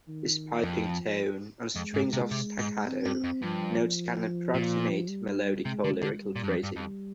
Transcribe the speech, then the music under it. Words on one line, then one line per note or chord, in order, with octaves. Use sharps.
His piping tone and strings of staccato notes can't approximate melodic or lyrical phrasing.
D#3
F2 F3
F2 G#3
G#2
C3
C3
G#2
C4
G2
F2
G2 F3
A#2
G3
C3 G#3
D3
D3
G3
A#2
G2
F2
G2
F2 G3